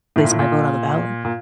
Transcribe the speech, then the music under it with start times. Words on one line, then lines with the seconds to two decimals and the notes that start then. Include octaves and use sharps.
placed my vote on the ballot.
0.16 A2
0.24 A#2
0.31 A2
0.39 A#2
1.25 A#2